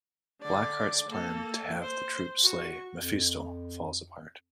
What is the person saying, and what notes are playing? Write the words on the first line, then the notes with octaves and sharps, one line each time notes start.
Blackheart's plan to have the Troop slay Mephisto falls apart.
D3 D5
A#3 A4
C5
F#4 C#6
F2